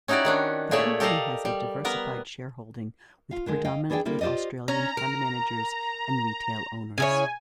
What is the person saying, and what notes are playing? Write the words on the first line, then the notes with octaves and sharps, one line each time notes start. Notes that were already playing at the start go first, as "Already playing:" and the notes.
The company has a diversified shareholding with predominantly Australian fund managers and retail owners.
C#4 D#4 E4 F#4 G4 D5
D#3 C#4 D4
A#2 A3 G#4 C#5 D5 E5
G4 A4 A#4 D5 D#5 F5
G3
B3 A#4 B4
F4 F5
D3 D#3 G#3
D#5 F5 G5
E3 D4 G#4 D5 G5
C3 G3 A#3 E4 A4
F4 G4 C5 D5 D#5
C#4 A#5
A#4
C#3 E4 C#5 G#5